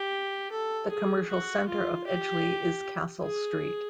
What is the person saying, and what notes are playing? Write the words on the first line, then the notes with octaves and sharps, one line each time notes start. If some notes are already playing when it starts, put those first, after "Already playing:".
The commercial centre of Edgeley is Castle Street.
Already playing: G4
A4
G#4
F#4
F4
G4
G#4